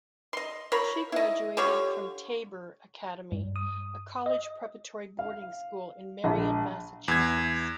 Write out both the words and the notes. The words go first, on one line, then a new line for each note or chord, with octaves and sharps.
She graduated from Tabor Academy, a college-preparatory boarding school in Marion, Massachusetts.
D#5 C6
F3 A#4 C#5 B5
E4 D#5
D3 G3 F4 C#5
G2
D#6
D#5
F5
A#1
E2 G#6